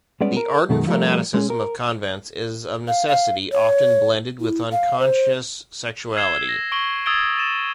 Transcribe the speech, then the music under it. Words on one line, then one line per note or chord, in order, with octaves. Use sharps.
The ardent fanaticism of convents is of necessity often blended with unconscious sexuality.
G3 G#3 B3 C#4 D5
A#4
F#2 B2 D#3 G3 G#3
F3 G3 A3 A#4
G#3 C#4 G#4
A#4
F5
F5
C#5
E4
F5
C5
E6 G#6 C7 E7 G7
A#6
C#6 D7 F#7 G7
D#6 E6 G#6 A6 D7 G7
A6 D#7 E7